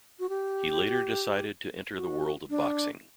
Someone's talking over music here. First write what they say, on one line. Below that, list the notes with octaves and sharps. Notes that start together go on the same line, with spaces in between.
He later decided to enter the world of boxing.
F#4
G4
F#4
D4